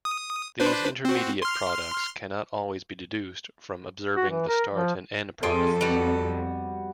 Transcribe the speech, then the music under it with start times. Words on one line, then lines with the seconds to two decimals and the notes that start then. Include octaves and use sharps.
These intermediate products cannot always be deduced from observing the start and end products.
0.05 D#6
0.60 D4 B4 C5
1.05 C4 F#4
1.42 C6 F6
4.16 F#4
4.30 E3
4.48 A#4
4.74 F3
5.43 F2 F4 G#4 A4 G5
5.81 G3 B3 F#4